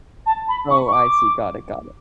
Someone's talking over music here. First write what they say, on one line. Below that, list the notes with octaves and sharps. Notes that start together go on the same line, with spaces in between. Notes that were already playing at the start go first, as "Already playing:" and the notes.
Oh, I see, got it, got it.
A5
B5
C#6
C#6
D6